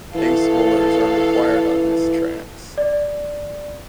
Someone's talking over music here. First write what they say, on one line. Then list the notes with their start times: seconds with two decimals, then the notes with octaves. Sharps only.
Pace bowlers are required on this tracks.
0.15 E3 A4 F5
2.78 D5